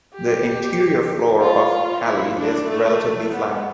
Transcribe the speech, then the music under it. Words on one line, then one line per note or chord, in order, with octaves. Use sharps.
The interior floor of Halley is relatively flat.
G4
F4
E4
D4
A3
B3